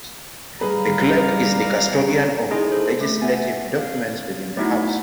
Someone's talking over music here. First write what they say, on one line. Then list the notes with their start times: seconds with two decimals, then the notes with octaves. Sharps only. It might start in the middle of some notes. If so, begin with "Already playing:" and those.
The Clerk is the custodian of legislative documents within the House.
0.61 G3 G#4 B4 F5 A#5
2.51 D#4 E4 G#4 D#5 G#5 C6
2.72 A4 C5
3.01 A3
3.22 E5 F#5 G#5
3.78 F5
4.57 A3 B3 D#4 E4 F#4 F#5